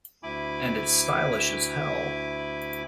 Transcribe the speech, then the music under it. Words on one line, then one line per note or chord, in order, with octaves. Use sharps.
And it's stylish as hell.
D2 E4 G#5 B5 D6